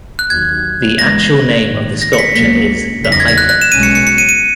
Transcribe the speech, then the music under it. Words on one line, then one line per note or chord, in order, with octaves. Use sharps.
The actual name of the sculpture is The Hiker.
F#6
D#2 D#3 F#3 G#6
F#1 F#2 E3 G#3 B3 A#6
A#1 G#2 D#3
A#6
C#7
B6
C#2 B2 F#3 A#3 B6
F#1 E2 D#3 F#3 B6
A#6
G#6
A#6
F#6
F#6
E7
B1 B2 G#3 C#4 D#7
C#7
C#7
C#7
D#7
D#7